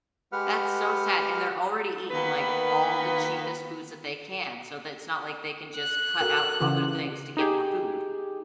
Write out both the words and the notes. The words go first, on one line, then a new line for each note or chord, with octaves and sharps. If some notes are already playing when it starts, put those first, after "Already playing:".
That's so sad, and they're already eating like all the cheapest foods that they can, so that it's not like they can just cut out other things to get more food.
G#3 G4 B4 F#5 F6
D#3 A#3 B3 D#4 B4
F#6
F#4 A4 A#4
C#3 E3 F4
D#4 G4 G#4